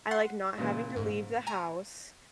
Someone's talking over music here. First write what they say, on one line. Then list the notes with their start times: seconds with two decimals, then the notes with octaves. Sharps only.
I like not having to leave the house,
0.11 F#5 C6
0.58 A#2 C#3 E3
0.96 G#2
1.47 G#5 A#5